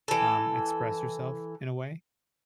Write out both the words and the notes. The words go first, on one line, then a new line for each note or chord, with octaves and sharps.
um, express yourself in a way.
E3 A4